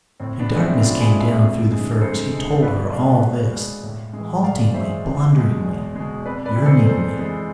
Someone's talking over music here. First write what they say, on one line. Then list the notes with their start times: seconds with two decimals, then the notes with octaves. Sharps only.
When darkness came down through the firs he told her all this, haltingly, blunderingly, yearningly.
0.20 A2 C4
0.39 B3 D4
0.50 G#3
0.60 C4 E4
0.80 A2 D4 F4
1.00 E4 G#4
1.11 G#3
1.20 E4 G#4
1.41 F2
1.71 D3 G#3
2.01 F2 A4 C5
2.32 D3 G#3
2.62 B2 B4 D5
2.92 G#3 D5 F5
3.23 B2
3.53 G#3
3.83 A2
4.13 G#3
4.18 E3
4.44 A2 D5 F5
4.74 E3 G#3 C5 E5
5.04 E2
5.34 B2 G#3
5.65 E2
5.95 B2 G#3
6.26 F2 B4 D5
6.45 B4 D5
6.56 E3 G#3
6.66 A4 C5
6.86 F2 A4 C5
7.16 E3 G#3